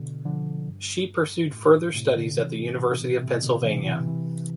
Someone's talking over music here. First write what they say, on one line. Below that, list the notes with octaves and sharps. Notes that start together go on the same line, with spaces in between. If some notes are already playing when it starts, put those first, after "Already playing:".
She pursued further studies at the University of Pennsylvania.
Already playing: B2 D3
D3 F3
G2
A2
A2 C3
B2 D3
C3 E3
A2 C3
C3
B2
B2
A2 C3
B2 D3
C3 E3
C3 E3
C3 E3